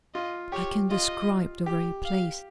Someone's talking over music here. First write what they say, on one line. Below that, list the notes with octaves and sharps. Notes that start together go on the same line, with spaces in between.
I can describe the very place.
F4 D#5
G4 C#5
F4 D#5
G4
F5